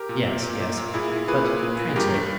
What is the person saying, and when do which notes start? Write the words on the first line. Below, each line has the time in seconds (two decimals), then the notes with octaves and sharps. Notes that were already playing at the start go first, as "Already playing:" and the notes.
"Yes, yes--but translate."
Already playing: G4 A#4
0.09 A#2
0.25 A#2
0.42 A#2
0.60 A#2
0.78 A#2
0.94 A#2 E4 G#4
1.11 A#2
1.28 A#2 G#4 B4
1.44 A#2
1.63 A#2
1.79 A#2
1.96 G2 G4 A#4
2.14 G2